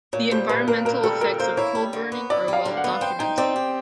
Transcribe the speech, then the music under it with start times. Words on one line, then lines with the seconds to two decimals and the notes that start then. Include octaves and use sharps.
The environmental effects of coal burning are well documented.
0.13 A#2 C#5
0.31 G3 C5
0.49 A#2 B4
0.68 A#3 A#4
0.85 A#2 A#4
1.03 G3 A4
1.21 A#2 A#4
1.39 A#3 C5
1.57 E4 C#5
1.75 G3
1.93 D3
2.12 B3
2.30 E4 D5
2.48 G3 F5
2.65 D3
2.77 F#5
2.84 B3
3.01 C5 G5
3.19 D#4 G5
3.38 C4 D5
3.56 G4